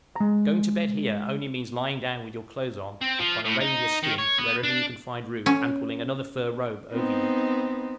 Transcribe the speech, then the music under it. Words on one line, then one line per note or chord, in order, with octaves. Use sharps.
Going to bed here, only means lying down with your clothes on, upon a reindeer skin, wherever you can find room, and pulling another fur-robe over you.
G#3 A#5
C4
F3
A2
D#4
D#3
C#5
B3
D4
C#4
B3 C4 D#4